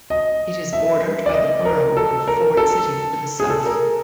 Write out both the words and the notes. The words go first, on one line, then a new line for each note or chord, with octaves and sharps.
It is bordered by the borough of Ford City to the south.
D#5
E5
D5
D#5
A#4
A4
A#4
A4
G#4
A4
A#4